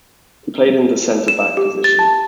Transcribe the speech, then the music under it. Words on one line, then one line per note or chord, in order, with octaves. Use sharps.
He played in the centre back position.
E7
G4
A6
A5